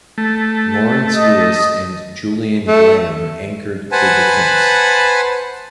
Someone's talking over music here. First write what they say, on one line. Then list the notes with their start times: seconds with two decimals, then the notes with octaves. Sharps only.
Lawrence Lewis and Julian Graham anchored the defense.
0.18 A3
1.16 D#5
2.68 A3
3.92 B4 C5 F#5 G#5 A5 B5